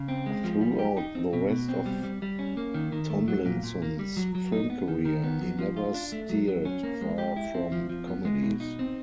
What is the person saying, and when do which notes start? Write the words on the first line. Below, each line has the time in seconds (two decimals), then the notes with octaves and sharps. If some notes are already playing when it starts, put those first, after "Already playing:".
Throughout the rest of Tomlinson's film career, he never steered far from comedies.
Already playing: C#3
0.08 C4
0.26 G#3
0.44 F3
0.61 G3
0.79 G4
0.97 D#4
1.15 C4
1.33 B2
1.50 B2
1.68 C4
1.86 G3
2.03 G3
2.22 G3
2.39 C#4
2.57 A#3
2.74 D#3
2.92 D#3
3.10 A3
3.28 F#3
3.45 A#2
3.63 A#2
3.82 A#3
3.99 G3
4.17 F#3
4.35 F#3
4.52 D#4
4.70 B3
4.88 D#3
5.05 D#3
5.24 B3
5.41 F#3
5.59 F3
5.77 F4
5.94 D4
6.12 A3
6.29 F#3
6.48 F#3
6.65 C#4
6.83 A#3
7.01 G#3
7.18 G4
7.36 E4
7.54 C4
7.72 F3
7.90 F3
8.07 B3
8.25 G#3
8.42 B2
8.60 D#4
8.79 C4